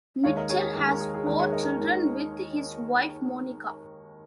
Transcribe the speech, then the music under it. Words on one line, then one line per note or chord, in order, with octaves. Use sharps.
Mitchell has four children with his wife Monica.
D#2 D#3 G#3 C#5 F5
A#4 D#5
G#4 C#5
G#4
D#2 D#3 G#3 A#4
A#4
G#4
G#4
D#2 D#3 G#3 A#4
G#4 C#5
A#4 D#5
A#4
D#2 D#3 G#3